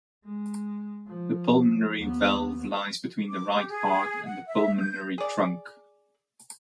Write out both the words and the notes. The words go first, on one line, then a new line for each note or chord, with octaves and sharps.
The pulmonary valve lies between the right heart and the pulmonary trunk.
G#3
F3
D#2 B3
D6
G4
G#4
F#5
E5
G6
G#4 D5